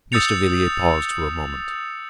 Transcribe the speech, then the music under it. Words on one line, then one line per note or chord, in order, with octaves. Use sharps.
Mr. Villiers paused for a moment.
D#6 E6 G6 A6 C#7 F7